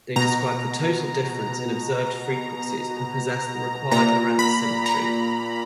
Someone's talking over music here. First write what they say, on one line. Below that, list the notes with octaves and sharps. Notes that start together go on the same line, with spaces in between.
They describe the total difference in observed frequencies and possess the required Lorentz symmetry.
B2 A#5
A#2 A#5
B5
A#5